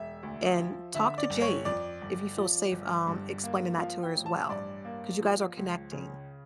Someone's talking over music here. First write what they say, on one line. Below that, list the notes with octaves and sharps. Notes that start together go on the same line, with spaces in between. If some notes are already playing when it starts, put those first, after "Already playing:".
and talk to Jade, if you feel safe, um, explaining that to her as well, 'cause you guys are connecting.
Already playing: E1 E5
D2
F3
D3 E5
D5
G1
C#5
F2 D5
G1
F3
G1
G2
A#3
F3 F5
G5
A1
A5
G2 D5
A#3
F3
C#2
C#3